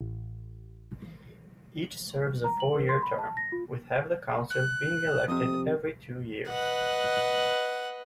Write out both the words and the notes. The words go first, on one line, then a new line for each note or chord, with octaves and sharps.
Each serves a four-year term, with half the council being elected every two years.
A1
A#5
F#7
A#4
C6
B5
A5
A#6
F4
F#6
F2 C3 D#6
B4 D#5 F#5